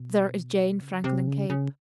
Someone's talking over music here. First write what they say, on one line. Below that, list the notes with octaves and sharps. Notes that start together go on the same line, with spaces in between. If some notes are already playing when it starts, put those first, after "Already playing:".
There is Jane Franklin Cape.
Already playing: B2
C#3
C3
C#3
C#3